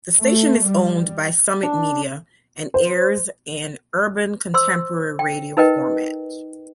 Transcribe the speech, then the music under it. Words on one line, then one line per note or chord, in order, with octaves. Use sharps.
The station is owned by Summit Media and airs an urban contemporary radio format.
A3
G3
D4
C5
C5 C6 E6
G5
D#4 A#4 B4 D#5 G5